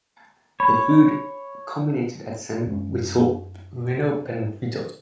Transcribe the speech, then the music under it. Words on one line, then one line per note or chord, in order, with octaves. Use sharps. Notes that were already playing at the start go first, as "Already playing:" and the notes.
Their feud culminated at Sin, which saw Reno pin Vito.
C#5 B5
F#2 G#3 C#4